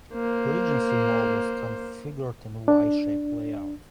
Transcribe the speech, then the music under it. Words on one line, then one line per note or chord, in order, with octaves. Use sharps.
Regency Mall was configured in a Y-shaped layout.
A#3 C5
D4